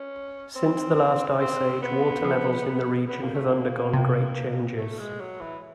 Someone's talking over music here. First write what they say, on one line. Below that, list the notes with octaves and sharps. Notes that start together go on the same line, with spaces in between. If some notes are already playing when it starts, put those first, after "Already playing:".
Since the last Ice Age, water levels in the region have undergone great changes.
Already playing: C#4
C4
C4
B3
F3
B3
A#3
A3
A#3
C3
A3
G#3
F#3
E3